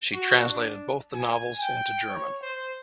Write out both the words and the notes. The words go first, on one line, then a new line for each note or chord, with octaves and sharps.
She translated both of the novels into German.
F#4
D4
G#5
G5
C#5
C5